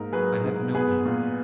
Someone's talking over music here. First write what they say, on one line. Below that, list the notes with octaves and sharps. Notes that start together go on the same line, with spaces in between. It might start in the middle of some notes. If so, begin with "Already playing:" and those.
"I have no one."
Already playing: G#2 A#3 A#4
F#3 G#4 B4
G#2
B3 G#4 B4
A#2